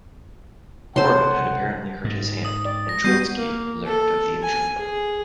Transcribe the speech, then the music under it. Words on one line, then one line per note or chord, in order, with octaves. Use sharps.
Corbett had apparently hurt his hand, and Choynski learned of the injury.
C#2 C3 A4 C5 C#5 F#5 C6
G#2
D#6
D5
A#6
G3 B3 F#4 G6 C7 D#7
A#3
A4
G#5
G#4